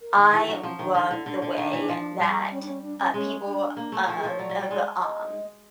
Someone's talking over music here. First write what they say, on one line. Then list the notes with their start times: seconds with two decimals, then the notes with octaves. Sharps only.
I love the way that, uh, people of of, um,
0.01 A#4
0.17 D#3
0.32 E3 G#4
0.48 F#3 D4
0.63 F3 C#4
0.79 D#3 D4
0.95 D3 D#4
1.10 D3 E4
1.26 D3 D4
1.42 D3
1.57 D#3
1.73 E3
1.89 F3
2.20 G3
2.51 C#4
2.61 D4
2.67 C#4
2.83 D4
2.98 C#4
3.14 G#3 C#4
3.46 D4
3.77 A#3
3.92 A3
4.08 F3 F4
4.18 G#4
4.24 F3 C#5
4.39 F#3 D5
4.50 F#3
4.60 G3
4.71 G#3
5.02 D#5